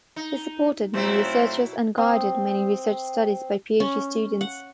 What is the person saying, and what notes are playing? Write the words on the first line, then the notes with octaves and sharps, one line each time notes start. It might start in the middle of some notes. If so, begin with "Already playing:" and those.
He supported many researchers and guided many research studies by PhD students.
D#4
B2 F#3 A3 C4 E4 F4
C4 C6 D#6
C#4
F#5